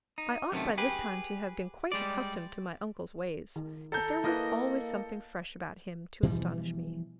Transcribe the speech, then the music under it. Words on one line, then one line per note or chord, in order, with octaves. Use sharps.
I ought by this time to have been quite accustomed to my uncle's ways; yet there was always something fresh about him to astonish me.
D#4
F#2 C3 D#3 A3
G4 G#4 B4
G3 G#3 D5
D#3
A4 A#5 G6
A#3 E4 B4 D#5
B2 E3 F3 G3